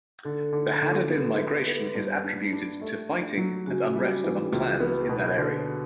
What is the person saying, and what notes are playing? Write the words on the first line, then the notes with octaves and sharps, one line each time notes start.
The Haddadin migration is attributed to fighting and unrest among clans in that area.
D3 A4
D3
D3
B3 G4
E4
B3
G2
D4
D4
A3
D4
F#3
C#3 F#4
G3
E3
C#2
B3
B2
D3